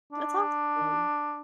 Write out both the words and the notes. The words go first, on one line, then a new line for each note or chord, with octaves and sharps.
That's awesome.
D4